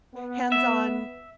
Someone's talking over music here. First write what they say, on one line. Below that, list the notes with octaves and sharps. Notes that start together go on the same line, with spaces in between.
Hands on,
B3
E5